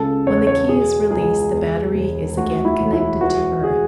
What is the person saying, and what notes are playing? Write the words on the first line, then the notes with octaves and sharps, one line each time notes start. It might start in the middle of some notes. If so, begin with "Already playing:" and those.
When the key is released the battery is again connected to earth.
Already playing: C#2 C#3 A4
E2 C#5
C#5
B2 G#4
C#2 G#4
E2
E1
D2 F#4
E4
E1
E4
E3 F#4
G#4